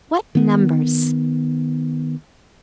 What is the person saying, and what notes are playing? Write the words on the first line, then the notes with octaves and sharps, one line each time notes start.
What numbers!
D#3 B3